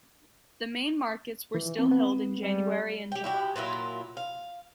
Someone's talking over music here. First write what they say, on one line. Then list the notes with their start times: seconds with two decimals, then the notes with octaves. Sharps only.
The main markets were still held in January and July.
1.55 E3
1.79 C4
1.91 B3
2.43 G3
3.12 G4 G5
3.24 E4 F#4 G4
3.56 A#2 F#3 E4 F4
4.17 F5